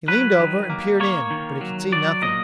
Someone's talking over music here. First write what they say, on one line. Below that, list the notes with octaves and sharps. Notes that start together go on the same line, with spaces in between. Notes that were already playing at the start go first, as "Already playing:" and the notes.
He leaned over and peered in, but he could see nothing.
F#3 B4
D#3
A#3
A#3 C#5
D#3
F#3
F#3 D5
A#2 D#5